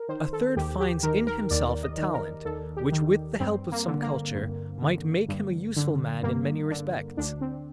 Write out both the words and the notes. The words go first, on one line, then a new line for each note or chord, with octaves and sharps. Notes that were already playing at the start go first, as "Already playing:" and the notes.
A third finds in himself a talent which with the help of some culture might make him a useful man in many respects.
Already playing: A#4
D#3 C5
A4
D#2 G4
G4
D#3 A#4
A#4
D#2 D5
D#5
D#3
A#4
D#2 A4
G4
D#3
G2 C4
A#3
D3
A#3
G2
D3
G2
D3
G2 A#3
D3
D2 D4
C4